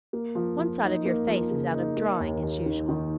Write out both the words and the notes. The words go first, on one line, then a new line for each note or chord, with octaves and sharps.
One side of your face is out of drawing, as usual.'
A#3
F3
F3
D#4
A#3
F3
C#3
D#4
A#3
D#2
D#2
D#3
D#3